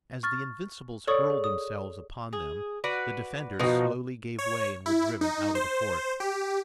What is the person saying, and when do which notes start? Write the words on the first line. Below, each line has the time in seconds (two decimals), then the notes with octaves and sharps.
As the Invincibles hurled themselves upon them the defenders slowly gave way and were driven out of the fort.
0.23 C#6 F6 A6
1.07 A4 C#5 D5 C#6 D#6
1.30 G#4
1.44 D#6
2.33 G#4
2.84 F#4 B4 D5
3.60 B2 F3 D#4 F#4
4.39 C#5
4.86 E4
5.21 D#4
5.55 C5
6.20 G4